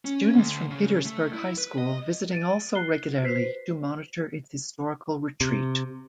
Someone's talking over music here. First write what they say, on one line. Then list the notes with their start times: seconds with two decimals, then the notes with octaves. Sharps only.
Students from Petersburg High School visiting also regularly to monitor its historical retreat.
0.05 C#4
0.35 D2
0.70 C#3
1.05 A3
1.33 E4
1.58 B4
1.78 D#5
2.33 A6 D7 D#7
2.75 F#6 C7 G7
3.23 F#4 B4 C5 B6 C7
5.41 C3